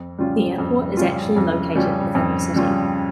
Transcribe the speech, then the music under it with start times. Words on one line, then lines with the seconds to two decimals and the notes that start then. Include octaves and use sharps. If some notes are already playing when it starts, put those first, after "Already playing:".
The airport is actually located within the city.
Already playing: F2
0.19 C#3 G3 C#4 F4
0.58 F2
0.97 C#3 G3 C#4 F4
1.36 F2
1.76 C#3 G3 C#4 F4
2.15 F2
2.54 C#3 G3 C#4 F4